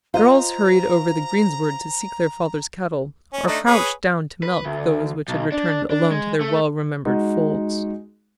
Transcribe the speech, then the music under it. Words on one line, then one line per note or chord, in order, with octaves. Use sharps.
Girls hurried over the greensward to seek their fathers' cattle, or crouched down to milk those which had returned alone to their well-remembered folds.
F4 C5 D#5 A#5
C#4
A3 D4 D#4
G#4 B4 C#5
B4
D2
B1
D4
D4
G#3
A3
G#3 D#4 F#4